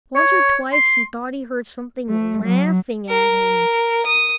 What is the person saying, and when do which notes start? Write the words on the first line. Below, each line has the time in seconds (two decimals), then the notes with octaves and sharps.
Once or twice he thought he heard something laughing at him.
0.15 C#5
0.73 C6
2.10 A3
2.43 F#3
3.09 A#4
4.06 D#6